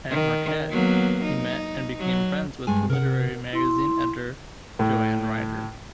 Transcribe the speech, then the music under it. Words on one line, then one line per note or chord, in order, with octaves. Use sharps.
At Marquette, he met and became friends with the literary magazine editor, Joanne Ryder.
D#3
F#3 A#3 B3
D#4
F#3
G2 G#3 G#5
C3 A#4 F#5
E4 C6
A2